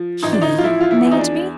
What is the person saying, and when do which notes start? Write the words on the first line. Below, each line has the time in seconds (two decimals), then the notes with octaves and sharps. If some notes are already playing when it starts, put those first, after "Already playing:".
"HE made me--?"
Already playing: F3
0.22 A1 D#4
0.32 D4
0.41 D#4
0.58 F4
0.64 F3 E4
0.81 F4
0.91 E4
1.05 E2
1.11 D#4
1.19 D4